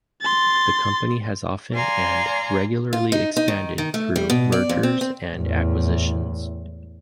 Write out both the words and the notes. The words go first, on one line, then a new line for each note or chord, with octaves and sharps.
The company has often and regularly expanded through mergers and acquisitions.
C6 A6
D5 F5 G#5 A#5 C6
F4
D#4
D#4
D#3
D#3
A3
G3
B2
D5
F2
C4
C4
E2 A2